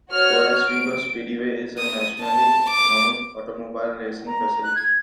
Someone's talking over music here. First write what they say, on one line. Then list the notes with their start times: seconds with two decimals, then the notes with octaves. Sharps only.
Oswego Speedway is a nationally known automobile racing facility.
0.10 F#4 C#5 F6
0.67 D7
1.78 D#6
2.20 A5
2.70 D6
4.27 A#5
4.63 F#6
4.75 G#6